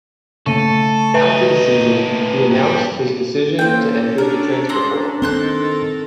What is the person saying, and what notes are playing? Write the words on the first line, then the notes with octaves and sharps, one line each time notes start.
After the season he announced his decision to enter the transfer portal.
C#3 A3 A4 C#6 D#7
A2 D#4 B4 E5 A#5
G2 G3
A#3 C4 C#4 A4 C#5 G5
D4 A#4
C4 A#5 C6
D#3 C4 A4 A#4 C5 C6 F#6